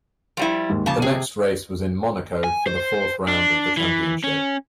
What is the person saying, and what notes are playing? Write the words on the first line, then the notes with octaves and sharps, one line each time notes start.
The next race was in Monaco for the fourth round of the Championship.
F3 G3 E4
D#2 G#2
A#1 C#3 A5 D6
C3 G#4
G#5
C5
D4
E3
C#4